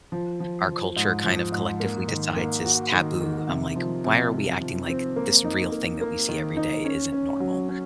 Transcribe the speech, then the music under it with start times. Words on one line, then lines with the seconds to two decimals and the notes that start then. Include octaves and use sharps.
our culture kind of collectively decides is taboo. I'm like, "Why are we acting like this real thing that we see every day isn't normal?"
0.12 F3
0.40 F3
0.69 F3
0.96 G#2
1.24 F3
1.52 G#2
1.80 A#3
2.08 D#3
2.36 A#3
2.64 F#4
2.92 D#3
3.21 D#3
3.48 C3
3.76 F3
4.04 C3
4.32 C3
4.61 F3
4.88 C4
5.16 A#3
5.45 D#4
5.72 A#3
6.01 A#3
6.28 D#3
6.57 D#4
6.85 C#4
7.12 C#4
7.40 F#3
7.69 C#4